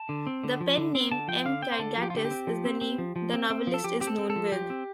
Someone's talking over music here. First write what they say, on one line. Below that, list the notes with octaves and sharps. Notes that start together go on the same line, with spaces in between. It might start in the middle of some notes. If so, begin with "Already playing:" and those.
The pen name M. Karagatsis is the name the novelist is known with.
Already playing: A5
D3
C4
D3
F3
D3
C4
D3 A5
F3 G5
D3 F5
C4 G5
C5
D3 A4
F3 G4
F4
D3 G4
G4
C4
F3
C4
C4
F3
F3
C4
C4
F3
A4
F3 G4
C4 G4
A4
C4
A4
F3
F3 G4
C4